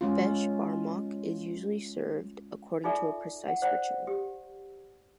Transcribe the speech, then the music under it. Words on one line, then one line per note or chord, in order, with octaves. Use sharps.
Beshbarmak is usually served according to a precise ritual.
G#3 C#4 F4
D#4 F4 G#4 A4 D5 E5
F#5
C5 D5 F#5
G4